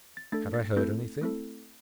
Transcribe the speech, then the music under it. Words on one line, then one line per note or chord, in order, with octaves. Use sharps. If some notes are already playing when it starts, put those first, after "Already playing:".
Had I heard anything?
A6
A3 D4 A4 A6
A6
A3 C4 E4 A4 G6
A3 C4 E4 A4